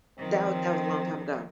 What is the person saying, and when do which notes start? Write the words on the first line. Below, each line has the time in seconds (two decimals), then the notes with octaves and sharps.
That wa that was a long time ago.
0.19 D#3 F3 C4